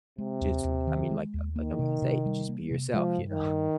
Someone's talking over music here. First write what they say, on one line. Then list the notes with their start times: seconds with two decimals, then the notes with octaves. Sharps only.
just, u I mean, like, uh, like I'm gonna say, just be yourself, you know?
0.18 C3 G#3
0.41 D#2
0.64 D#2
0.87 D#3
1.11 G#3
1.34 D#2
1.56 D#3 A#3
1.79 C3
2.02 C3
2.26 G3
2.49 A#3
2.71 C3
2.94 F3 G#3
3.18 G2
3.29 D#3
3.40 G2